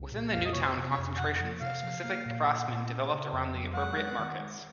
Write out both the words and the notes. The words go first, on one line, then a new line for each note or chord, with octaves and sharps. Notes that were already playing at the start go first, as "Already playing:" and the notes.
Within the New Town concentrations of specific craftsmen developed around the appropriate markets.
Already playing: C2
A#2
F2 F5
D#5
C3 C#5
C5
C3
C#5
F2
C3 F#5
F3
C3 F5
F3
A#3
A#2
A#2
A#2
C#4
C#3
F2
F#3
G#3 F#5
G#3
D#3
G#3